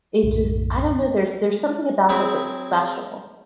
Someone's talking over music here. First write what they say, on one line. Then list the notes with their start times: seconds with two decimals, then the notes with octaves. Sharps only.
It just I don't know. There's there's something about that that's special.
0.23 B1 F#2 A2 D3
2.09 F#3 C4 E4 G#4